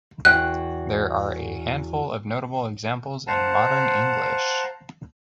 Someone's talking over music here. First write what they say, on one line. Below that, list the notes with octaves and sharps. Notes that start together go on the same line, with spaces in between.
There are a handful of notable examples in modern English.
E2 F#4 G5 F#6
C5 F5 F#5 A5 A#5